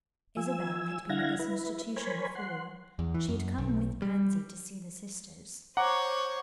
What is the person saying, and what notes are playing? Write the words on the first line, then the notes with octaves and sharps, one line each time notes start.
Isabel had been at this institution before; she had come with Pansy to see the sisters.
F3 G#5 E6
D3 E4 F5 F#5 G#6 A#6
E4 B4
A#4 C5 C#5 G#5 B5
F#5 C6
E2
E3
F#2
B1
G3
C5 C#5 F#5 A#5 D6